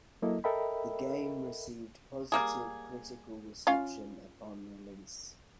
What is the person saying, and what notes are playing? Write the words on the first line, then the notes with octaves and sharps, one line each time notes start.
The game received positive critical reception upon release.
F#3 A#3 E4 A4 D#5
A4 A#4 D#5 E5 G5 B5
G3 A#3 G#4
C#4 F4 F5